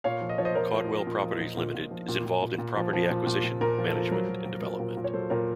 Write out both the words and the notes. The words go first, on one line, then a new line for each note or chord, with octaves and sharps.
Caudwell Properties Limited is involved in property acquisition, management and development.
A#2 C#5 F5
F3
D#5
F3 C#5
C5 D#5
F3 A#4 C#5
F3
F3
A#2
F3
A#2
A#2
A#2
F3
A#2
A#2
A#2
A#2
F3
F3
A#2
A#2
A#2
A#2 A#4
F3
A4
F3
F#3 A#4
F#3
A#2
F#3
A#2
A#2
C#5
F#3 A4 C5
A#2 A#4 C#5